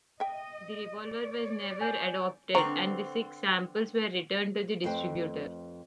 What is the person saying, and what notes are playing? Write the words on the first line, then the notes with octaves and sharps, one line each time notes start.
The revolver was never adopted and the six samples were returned to the distributor.
D#5 E5 G5
C#5 D5
G#5 G6
D3 C4 B4 C5 A#5 C#6
F2 A3 B4 C5 G5